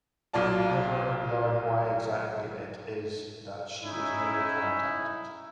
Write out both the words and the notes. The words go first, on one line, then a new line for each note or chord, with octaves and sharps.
We never learn why exactly it is that she is never contacted.
B1 A#2 F4 D5 A5
C#4 D#4 E4